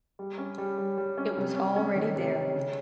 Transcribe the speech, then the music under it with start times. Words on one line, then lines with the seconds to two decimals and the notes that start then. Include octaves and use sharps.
It was already there.
0.19 G3
0.38 C#4
0.58 G3
0.78 G3
0.98 G3
1.18 C#4
1.37 C3
1.56 C#4
1.76 C#4
1.95 D#3
2.16 C3
2.35 C3
2.55 C#3